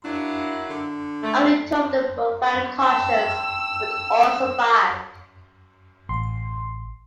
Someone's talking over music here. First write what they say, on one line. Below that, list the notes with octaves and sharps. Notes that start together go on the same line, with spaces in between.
Only two of them were found conscious, but all survived.
F#3 A#3 D4 E4
D3
A3
G5 A5 E6
A1 C6